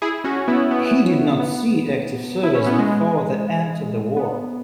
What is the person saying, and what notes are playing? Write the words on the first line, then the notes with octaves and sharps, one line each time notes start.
He did not see active service before the end of the war.
E4 G#4
C#4 F#4
B3 E4
B3
B3
E4
C#4
B3
G#3
B3